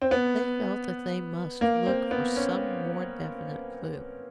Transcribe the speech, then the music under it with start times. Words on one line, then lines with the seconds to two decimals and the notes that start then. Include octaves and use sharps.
They felt that they must look for some more definite clue.
0.02 C4
0.11 B3
1.61 A#3
1.86 C4
2.11 B3
2.36 C#4